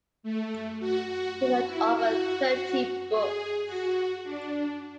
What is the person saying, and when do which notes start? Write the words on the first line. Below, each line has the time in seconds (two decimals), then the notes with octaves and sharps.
He wrote over thirty books.
0.23 A3
0.80 F#4
1.09 F#4
1.37 F#4
1.67 E4
1.95 F#4
3.09 G#4
3.66 F#4
4.24 D4